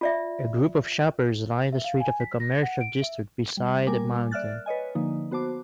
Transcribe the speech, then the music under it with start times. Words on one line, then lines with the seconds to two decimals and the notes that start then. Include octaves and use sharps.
A group of shoppers line the street of a commercial district beside a mountain.
0.01 F4 D5 E5
1.73 E5
1.84 F5
2.01 G#5
2.20 B6
2.40 A#6
2.62 F#5
2.81 D7
3.02 E5
3.57 G3
3.87 G3 A#3 A#4 G#5 D6
4.31 D5 E5 F6 F#6 A6
4.66 B4 C#5 D#5 G#5
4.95 D3 F3 A#3 D#4
5.31 B3 F#4 C5 A5 D6